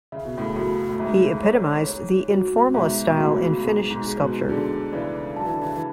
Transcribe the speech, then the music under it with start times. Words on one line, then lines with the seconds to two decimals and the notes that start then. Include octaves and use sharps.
He epitomised the Informalist style in Finnish sculpture.
0.12 C#3 E5
0.25 B2
0.37 A2 C#3
0.56 F#2 A2 F#4
0.89 A2
1.00 G#2 E5
1.43 C#5
1.87 C#5
2.31 F#4
2.74 G#2 B2 E5
3.07 B2
3.18 A2 C#3 F#4
3.61 G#2 B2 G#4
3.90 G#2 B2
4.06 G#4
4.20 G#2 B2
4.49 B2 D3 G#4
4.93 C#3 E3 D5
5.36 F#3 A5
5.45 E3
5.53 D3
5.61 C#3 E3
5.76 E3